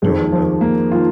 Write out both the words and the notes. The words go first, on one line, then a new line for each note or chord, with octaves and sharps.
Oh, no.
F2 D#3 G#3
F3
A#3
F4
D#3